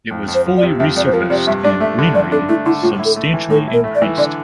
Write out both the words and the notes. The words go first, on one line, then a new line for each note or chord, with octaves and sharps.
It was fully re-surfaced, and greenery substantially increased.
F2
F2
C5
F3
D5
C3
F2 E5
F2 D5
C5
F3 A#4
C3 D5
G2 E5
D4 D5
A3 E5
D3
G2 D5
D4 A4
A3 E4
D3 E4
A2 F4
E4
A4
A3
E3
A2 A4
E4
A#4
A3
D5
E3
D3 D5